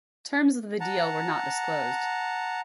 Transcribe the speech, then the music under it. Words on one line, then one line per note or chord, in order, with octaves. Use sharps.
Terms of the deal were not disclosed.
F#5 A5 A#5